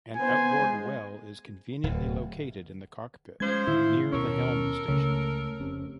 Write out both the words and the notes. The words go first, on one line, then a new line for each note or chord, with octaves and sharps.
An outboard well is conveniently located in the cockpit near the helm station.
B3 C5 G#5
G#3
D1
F3 G#3 C#4 C5 G#6
A2 D3 D#3 E4
D#2 B2 C#4 A4 A#4
C#2 C#3 A3
F1 C3 C#4